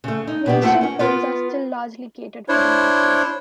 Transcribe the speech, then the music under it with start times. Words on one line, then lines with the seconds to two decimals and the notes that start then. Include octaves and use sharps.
Mainstream films are still largely catered for the masses.
0.04 C#3 A3
0.27 D#4
0.46 B2 B3 G4
0.62 A3 A#3 C4 F4 C#5 F#5
0.81 C#4 A#4
0.99 B3 F4 A#4 B4
2.49 D4 E4 C5 C#5